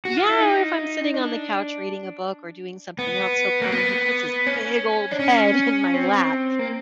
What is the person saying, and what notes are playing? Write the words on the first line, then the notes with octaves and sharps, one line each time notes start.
Yeah, or if I'm sitting on the couch reading a book or doing something else, he'll come and he puts his big old head in my lap
F#4
F4
E4
D#4
D4
B3
A#3
B3
C#4
D4
C#4
C4
A#3